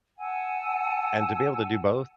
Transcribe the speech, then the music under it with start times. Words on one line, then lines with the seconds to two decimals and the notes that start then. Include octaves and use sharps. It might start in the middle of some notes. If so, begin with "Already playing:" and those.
and to be able to do both
0.18 F#5 G#5 A5 E6